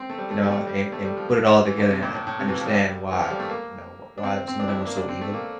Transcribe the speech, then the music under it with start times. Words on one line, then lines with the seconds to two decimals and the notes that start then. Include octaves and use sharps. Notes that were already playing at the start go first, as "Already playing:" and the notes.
you know, and and put it all together and and understand why you know, w why some of them are so evil,
Already playing: C4
0.10 A3
0.18 G3
0.31 A3
0.43 G3
0.50 A3
0.56 G3
0.67 G3
0.92 A3
1.05 G3
1.17 F3
1.29 F3
1.65 E3
1.78 D3
1.90 C3
2.03 A#2
2.14 A2
2.27 A2
2.39 C3
2.48 E3
2.58 F3
2.66 G3
3.11 E3
3.20 F3
3.30 G3
3.40 A3
3.49 A#3
4.18 D4
4.23 C4
4.48 C4
4.60 D4
4.68 E4
4.78 D4
4.87 A#3
4.97 D4
5.09 C4
5.21 A3
5.34 A#3